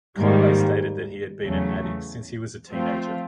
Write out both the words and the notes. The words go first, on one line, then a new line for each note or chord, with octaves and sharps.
Conaway stated that he had been an addict since he was a teenager.
G#2 D#3 G3 A#3
E2 C#3 F#3 A3
F3 A3 C4 F4